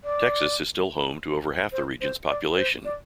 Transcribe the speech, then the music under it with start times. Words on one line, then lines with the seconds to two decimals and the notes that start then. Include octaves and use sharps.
Texas is still home to over half the region's population.
0.04 D5
1.72 C5
2.01 C5
2.28 D5
2.56 C5
2.85 D5